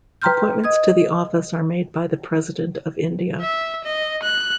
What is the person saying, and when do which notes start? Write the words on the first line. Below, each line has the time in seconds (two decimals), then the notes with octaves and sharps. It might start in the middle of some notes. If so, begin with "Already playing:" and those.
Appointments to the office are made by the President of India.
0.22 B4 G5 A#5 C6 F6 G6
0.64 D#5 D#6 G#6
3.41 E5
3.84 D#5
4.23 F#6